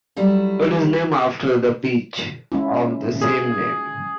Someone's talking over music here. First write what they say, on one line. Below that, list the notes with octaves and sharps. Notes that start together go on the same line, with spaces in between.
It is named after the beach of the same name.
F#3 G3 A3 E4
G#3 C#4 E4
G#4